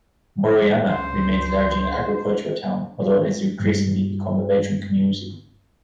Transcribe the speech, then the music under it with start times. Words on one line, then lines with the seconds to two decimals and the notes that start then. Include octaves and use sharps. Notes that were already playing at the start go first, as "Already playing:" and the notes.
Moroyama remains largely an agricultural town, although it has increasing become a bedroom community.
0.89 C#2 D4 C5
3.60 G2 G3